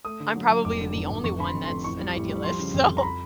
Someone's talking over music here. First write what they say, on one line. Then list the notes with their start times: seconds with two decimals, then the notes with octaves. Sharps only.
I'm probably the only one that's an idealist, so,
0.05 A3 D#6
0.20 D3
0.36 F#3
0.50 F#3
0.65 F1 D6
0.80 D3
0.95 F1
1.10 F1
1.24 F2 C#6
1.39 D3 B5
1.44 C6
1.55 F2
1.64 C6
1.70 F2
1.84 A1 C#6
2.00 G3
2.15 A1
2.29 G3
2.44 F3 C6
2.59 C#3
2.74 F2
2.89 F2
2.97 A#5
3.03 B5